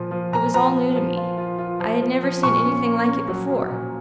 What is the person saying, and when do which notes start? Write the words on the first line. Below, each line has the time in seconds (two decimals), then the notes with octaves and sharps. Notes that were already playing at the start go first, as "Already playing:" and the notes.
It was all new to me. I had never seen any thing like it before.
Already playing: A#2 F3 F4
0.11 F3
0.32 A#2 A#5
0.54 F3 A#5
0.75 B3
0.95 F3
1.17 F4
1.37 F4
1.59 F4
1.80 F3
2.02 F3
2.23 F3
2.43 A#2 C#6
2.65 C#4
2.85 A#3
3.07 C#4
3.28 F#3
3.49 F#3
3.71 A#2